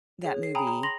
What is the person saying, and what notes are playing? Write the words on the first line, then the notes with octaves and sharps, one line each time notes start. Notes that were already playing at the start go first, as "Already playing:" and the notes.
that movie.
G#4 C#5
C7
G5 G#5 A#5 B5 D#6
A#5
C6 A#6 F7 F#7